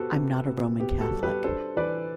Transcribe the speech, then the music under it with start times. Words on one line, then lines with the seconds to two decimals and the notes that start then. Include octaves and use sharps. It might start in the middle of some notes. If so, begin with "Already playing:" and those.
I'm not a Roman Catholic.
Already playing: B3 F#4 G4 A4 B4 C5
0.15 C3
0.47 C3
0.80 B3 G4
1.01 F#4 A4
1.12 G3
1.23 G4 B4
1.44 D4 A4 C5
1.76 E3 B4 D5